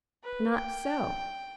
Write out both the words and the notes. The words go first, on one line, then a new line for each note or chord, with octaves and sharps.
Not so.
B4
G5